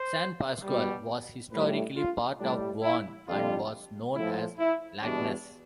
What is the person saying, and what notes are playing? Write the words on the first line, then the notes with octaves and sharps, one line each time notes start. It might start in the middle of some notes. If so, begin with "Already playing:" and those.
San Pascual was historically part of Bauan and was known as "Lagnas".
Already playing: C5
B2 G3
A2 G3 B4
F4
A2 G3 D4
E4
F2 D3 G3 F4
A2 F3 E4
E4
E2 B2 G3 D4